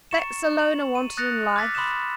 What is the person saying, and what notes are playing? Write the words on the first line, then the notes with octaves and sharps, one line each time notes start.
Facts alone are wanted in life.
A#5 C#6 A6 C#7 E7
F#7
D#7
D#6 F#6 A6 A#6 C#7 F7
D6 E6 F6 A6 B6
B5 C6 D6 D#6 F#6 E7